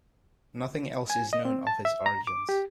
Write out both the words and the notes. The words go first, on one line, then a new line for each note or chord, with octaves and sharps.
Nothing else is known of his origins.
G#5
D#5
C4
A5
E5
A#5
D6
G4